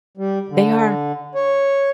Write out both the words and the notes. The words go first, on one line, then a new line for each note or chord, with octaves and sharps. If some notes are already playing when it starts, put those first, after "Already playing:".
They are.
G3
D3
C#5